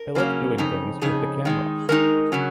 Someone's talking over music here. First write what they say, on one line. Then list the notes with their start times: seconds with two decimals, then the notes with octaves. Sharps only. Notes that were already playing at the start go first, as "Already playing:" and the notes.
I like doing things with the camera.
Already playing: A#4
0.15 C#3 F#3 A#3 C#4
0.58 F2 C#3 D#4
1.01 F2 C#3 D#4 G#4
1.45 D#3 G#3 D#4
1.89 D#3 G#3 D#4 A#4
2.32 C#3 F#3 C#4